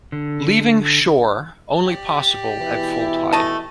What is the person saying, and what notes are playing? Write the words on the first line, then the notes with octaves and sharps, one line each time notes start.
Leaving shore only possible at full tide.
D3
G4 D5
B2 E3 E4
A3 D#5 A5